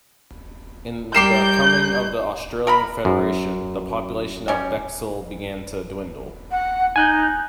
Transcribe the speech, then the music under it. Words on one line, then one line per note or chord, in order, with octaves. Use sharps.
In the coming of the Australian federation the population of Bexhill began to dwindle.
G3 A#4 G5 D6 G6 C7 E7
A#4 A#5 B5
F#2
G3 C#4
F#5
D#4 G#5 F#6 G6